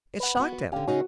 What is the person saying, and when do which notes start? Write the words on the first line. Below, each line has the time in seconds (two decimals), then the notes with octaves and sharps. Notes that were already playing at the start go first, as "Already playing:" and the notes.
It shocked him.
0.20 B4 F#5
0.37 B3 F#4
0.72 D3 C#4 G4 F5 G5
0.88 C#3 C#4 D#4 F#4 G#4